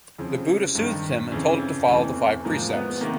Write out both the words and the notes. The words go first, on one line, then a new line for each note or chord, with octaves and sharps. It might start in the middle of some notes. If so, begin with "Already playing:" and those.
The buddha soothed him and told him to follow the Five precepts.
F2 C#3 F3
G2 D#3
F2 C#3 E3
E2 C3 E3 A3
G#2 F3 A#3
B3
C3 D#3 A#3